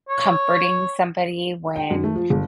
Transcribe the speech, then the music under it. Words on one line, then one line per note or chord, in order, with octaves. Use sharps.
comforting somebody when
C#5
G5
F#2
A3
F3
G1